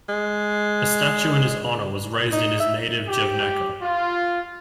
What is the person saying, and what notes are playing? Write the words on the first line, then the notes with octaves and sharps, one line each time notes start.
A statue in his honor was raised in his native Jevnaker.
G#3
D#4
E5
G4
F4